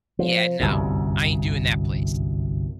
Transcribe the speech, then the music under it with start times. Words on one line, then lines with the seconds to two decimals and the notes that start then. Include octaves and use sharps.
Yeah, no. I ain't doing that place.
0.19 F3
0.60 G1 C2 F#2